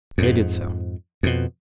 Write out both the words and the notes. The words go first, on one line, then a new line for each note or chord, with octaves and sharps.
They did so.
F2 G#2
F2 B2